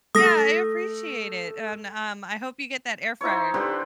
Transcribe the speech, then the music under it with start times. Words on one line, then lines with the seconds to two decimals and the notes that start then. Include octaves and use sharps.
Yeah, I appreciate it, and, um, I hope you get that air fryer.
0.15 A3 D#6 A#6
3.21 D#4 E4 C5 C#5
3.54 D3 G4 B4 C5